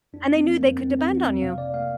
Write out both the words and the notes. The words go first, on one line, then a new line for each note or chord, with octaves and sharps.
and they knew they could depend on you.
F2 D4
A#3
C4
F3
A#3
F2
F2 C4
A#3
C4
F3
F2
C3 F5
C3 D5
A#3 F5